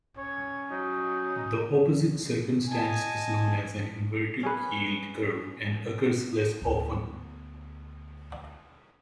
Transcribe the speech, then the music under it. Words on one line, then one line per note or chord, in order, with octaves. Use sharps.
The opposite circumstance is known as an inverted yield curve and occurs less often.
C#4 C#5
F#3 D#4
D#5 G#5 A5
C#4 G#4 B4
D2 B3